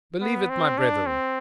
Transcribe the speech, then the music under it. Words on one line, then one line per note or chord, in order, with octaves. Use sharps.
Believe it, my brethren!
B3
C4
D4
C4